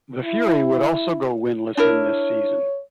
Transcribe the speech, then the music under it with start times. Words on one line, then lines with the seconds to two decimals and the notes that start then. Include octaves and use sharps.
The Fury would also go winless in this season.
0.25 E4
1.77 D4 E4 A#4 C#5